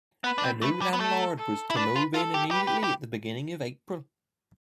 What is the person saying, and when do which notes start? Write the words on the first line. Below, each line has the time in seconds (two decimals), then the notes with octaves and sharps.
A new landlord was to move in immediately at the beginning of April.
0.24 B3 B4
0.38 D4
0.44 C4
0.62 A3 B4
0.81 G3
0.93 B3
1.00 A3 A4
1.38 A4
1.70 E4
1.77 D4 B4
1.96 F4
2.14 F4 A4
2.34 G4
2.51 G4 B4
2.67 G4
2.84 G4